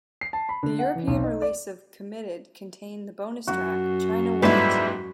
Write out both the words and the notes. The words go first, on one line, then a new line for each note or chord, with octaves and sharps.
The European release of "Committed" contained the bonus track "China White".
C7
A5
B5
D3
F#5
E3
B1
D#4
D5
F#2 F#4
D#2 G#2 G3 E4 B4